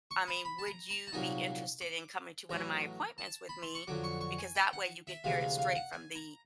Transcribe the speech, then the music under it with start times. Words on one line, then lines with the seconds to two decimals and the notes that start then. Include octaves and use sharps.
I mean, would you be interested in coming to one of my appointments with me? Because that way you could hear it straight from the,
0.11 C#6
0.28 B5
0.45 B5
0.59 A5
0.67 A#5
0.90 A#5
1.07 A5
1.13 C2 A#2 F#3 A#3 D#4 G#5
1.81 D6
2.50 A1 A2 F#3 A#5
3.18 A5
3.49 B5
3.63 C6
3.75 C#6
3.87 F2 D3 F#3 D6
4.04 C#6
4.21 C#6
4.38 G#5
4.55 G5
4.73 F#5
5.07 E5
5.24 D2 C3 E3 G#3 F5
5.41 F5
5.58 F5
5.76 F#5
5.93 G#5
6.15 A#5